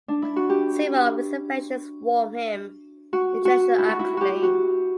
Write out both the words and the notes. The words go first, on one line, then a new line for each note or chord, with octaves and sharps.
Several of his inventions wom him international acclaim.
D4
E4
F#4
G4
F#4
F#4
E4
F#4
E4
F#4 G4
F#4